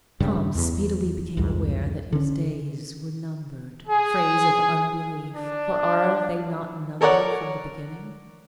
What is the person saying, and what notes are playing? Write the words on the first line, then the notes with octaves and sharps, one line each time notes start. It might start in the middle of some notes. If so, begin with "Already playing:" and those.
Tom speedily became aware that his days were numbered--phrase of unbelief, for are they not numbered from the beginning?
G2 C#3 G3
E2
C2 F2 G#2
D3 C#4
G#4
D4
A4 A#4 C#5 D5 F#5